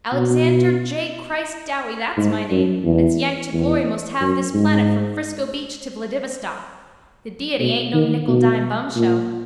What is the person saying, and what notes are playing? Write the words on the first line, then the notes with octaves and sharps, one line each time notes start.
Alexander J Christ Dowie, that's my name, that's yanked to glory most half this planet from Frisco beach to Vladivostok. The Deity aint no nickel dime bumshow.
B2
G#2
F#2
E2
E2
F#2
G#2
B2
D#3
B2
A#2